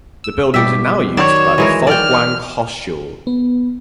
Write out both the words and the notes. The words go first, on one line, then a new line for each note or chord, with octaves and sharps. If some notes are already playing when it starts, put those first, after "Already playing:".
The buildings are now used by the Folkwang Hochschule.
E6
B2 G3 G4 E5
D#3 F#3 C#5 D5 E7
E3 G#3 A#4
D5 G5 F6
B3